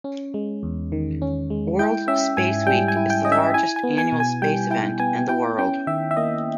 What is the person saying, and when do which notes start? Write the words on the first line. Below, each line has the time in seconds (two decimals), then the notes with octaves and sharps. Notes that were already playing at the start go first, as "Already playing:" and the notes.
World Space Week is the largest annual space event in the world.
0.04 C#4
0.34 G#3
0.63 E2
0.92 D#3
1.22 C#4
1.50 G#3
1.79 E4 G5
2.08 C#4 E5
2.37 G#2 G#5
2.66 G3 G5
2.88 G#5
2.96 E4
3.10 G5
3.25 C#4 D#5
3.32 E5
3.54 E4 G#5
3.76 G#5
3.83 B3
3.98 G#5
4.12 B2
4.20 G#5
4.42 G3 G5
4.70 E4 G5
5.00 B3 G#5
5.29 E4 G5
5.58 C#4 G5
5.87 D#3 E5
6.11 E5
6.17 A#3 D#5